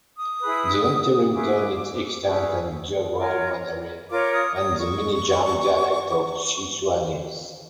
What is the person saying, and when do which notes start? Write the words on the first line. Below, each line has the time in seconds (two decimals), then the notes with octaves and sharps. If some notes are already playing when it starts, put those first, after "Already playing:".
The entering tone is extant in Jianghuai Mandarin and the Minjiang dialect of Sichuanese.
0.17 D#6
0.40 E4 G#4 B4
1.32 C#4 E4 G#4 B4 D6
2.25 C#4 E4 G#4 B4
3.17 F4 A#4 C#5
4.09 F4 A#4 C#5 D6
4.32 D#6
4.55 D#6
4.79 C#6